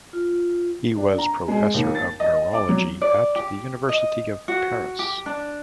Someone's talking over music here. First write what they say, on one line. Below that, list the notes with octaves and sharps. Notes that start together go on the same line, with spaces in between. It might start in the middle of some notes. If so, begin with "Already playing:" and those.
He was professor of neurology at the University of Paris.
F4
D4
A#5
G#3
D#2
A6
D#5
D6
F#3
D5
G4
D#5
F#4
G4
D4